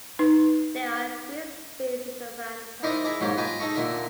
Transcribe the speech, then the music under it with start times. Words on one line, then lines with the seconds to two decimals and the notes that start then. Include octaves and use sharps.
There are green spaces around the town.
0.19 D#4 B4
2.83 D#4 E4 A#4 C5 D5 D#5
3.04 E4 G#4 A#5 D6
3.20 G#2 F#3 A#3 G4 C5
3.37 F4 B4 D#5 G5 G#5 A#5
3.60 D#4 G#4 A4 A#5 C#6
3.74 A#2 D3 A#4 E5